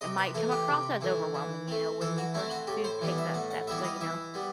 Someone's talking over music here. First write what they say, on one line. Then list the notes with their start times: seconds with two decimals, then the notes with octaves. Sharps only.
it might come across as overwhelming, you know, when you first do take that step, so, you know,
0.01 C3 D#5
0.18 B4
0.34 E3 A3 A4
0.51 G4
0.68 C3
1.01 E3 A3
1.34 E3
1.68 A3 C4
2.01 E3 A4
2.18 F#4
2.34 A3 C4 E4
2.51 F#4
2.67 A2 G4
2.84 C5
3.01 E3 G3 B3
3.18 E5
3.34 A2 F#5
3.51 F#5
3.67 E3 G3 B3 E5
3.84 D#5
4.01 E3 E5
4.34 G3 B3